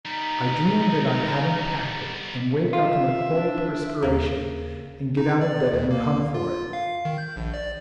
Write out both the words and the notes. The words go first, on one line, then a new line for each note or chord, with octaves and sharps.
I dream that I haven't packed it, and wake up in a cold perspiration, and get out of bed and hunt for it.
G3 B3 D#4
F4 E5 F5
D4
D#2 C#3 A#3
D#4
D5
D2
A#3
F4
F5
D#3
G6
A#1
D5